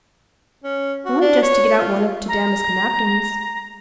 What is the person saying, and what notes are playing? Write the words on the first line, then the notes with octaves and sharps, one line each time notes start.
'Only just to get out one of t' damask napkins.'
C#4
F#4
D4
C#5
F4
A#5